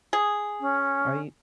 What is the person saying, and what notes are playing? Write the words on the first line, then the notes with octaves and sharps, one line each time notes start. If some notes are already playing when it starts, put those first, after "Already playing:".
Are you
G#4
C#4